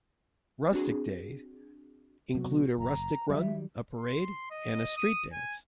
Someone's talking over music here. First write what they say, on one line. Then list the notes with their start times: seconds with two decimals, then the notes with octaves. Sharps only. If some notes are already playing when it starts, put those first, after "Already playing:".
Rustic Days include a Rustic Run, a parade, and a street dance.
0.72 C4 D4 F#4 G#4
2.35 C3 F#3 B3 F#4
2.78 F#1 A#5
3.30 D#3 F#3 G3 E5
3.99 C6
4.51 D#5
4.97 D#6
5.33 G#5